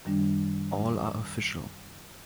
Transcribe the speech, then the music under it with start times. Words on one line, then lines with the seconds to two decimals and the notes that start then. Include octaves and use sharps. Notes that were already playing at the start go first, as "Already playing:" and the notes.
All are official.
0.05 F#2 D#3 G3 D4